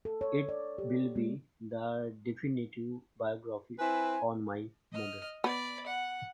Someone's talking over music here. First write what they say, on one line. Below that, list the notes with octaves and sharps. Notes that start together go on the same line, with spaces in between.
It will be the definitive biography on my mother.
A4
C#5
D5
G4
G#3
C4 E4 B4 G#5
D#5 F6
B3 D5 B5
F#5